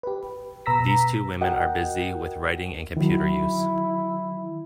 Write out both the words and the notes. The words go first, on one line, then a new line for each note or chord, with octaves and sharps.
These two women are busy with writing and computer use.
G4 B4
B2 B4 A#5 E6 A#6 B6
F#4 A#4 D#5 F#5 G5
D#3 F#3 E4